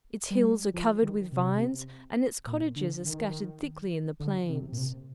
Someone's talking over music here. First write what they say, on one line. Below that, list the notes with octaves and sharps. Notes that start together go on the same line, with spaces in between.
Its hills are covered with vines, and its cottages are scattered thickly in the plains.
G3
F3
D#3
C3
A#2
D3
D#3
D3
C3
A#2
C3